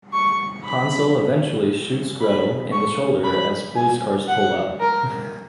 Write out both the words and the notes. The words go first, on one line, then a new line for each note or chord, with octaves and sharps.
Hansel eventually shoots Gretel in the shoulder as police cars pull up.
C#6
B5
B5
C#6
B5
G#5
F#5
A#4